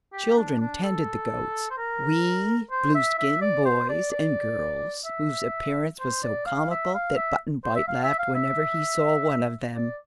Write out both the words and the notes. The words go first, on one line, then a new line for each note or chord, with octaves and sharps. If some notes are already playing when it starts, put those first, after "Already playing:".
Children tended the goats--wee Blueskin boys and girls whose appearance was so comical that Button-Bright laughed whenever he saw one of them.
G4
D4
D4
A4
C5
A#4
C5
E5
E5
D5
C5
D5
D5
E5
C5
D5
F5
E5
F5
E5
C5
E5
F5
E5
F5
E5
D5